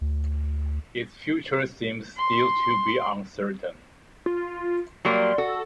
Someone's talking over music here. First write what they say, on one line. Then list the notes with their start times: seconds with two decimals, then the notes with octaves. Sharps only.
Its future seems still to be uncertain.
0.01 D2
2.17 C6
4.26 F4
5.05 F#3 G3 A#3 C6
5.38 F#4 A4